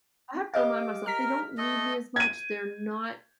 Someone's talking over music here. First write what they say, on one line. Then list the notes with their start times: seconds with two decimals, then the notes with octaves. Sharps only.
I have to remind myself they don't need me as much, they're not
0.54 G4 D#5 F5 D6
1.06 A#4 F6 B6
1.58 A3 A4 D#5
2.16 G#6 D#7